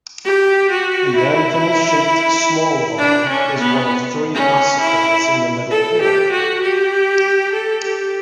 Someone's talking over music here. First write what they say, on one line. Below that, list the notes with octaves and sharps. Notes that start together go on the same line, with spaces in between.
The anvil-shaped small bone is one of three ossicles in the middle ear.
G4
F#4
E4
D4
C#4
B3
C#4
E4
A4
G4
F#4
G4
A4
G4